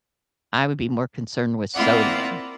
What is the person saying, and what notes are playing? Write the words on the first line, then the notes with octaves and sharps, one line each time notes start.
I would be more concerned with sodium.
A#3 C4 E4 F4 D5 F#5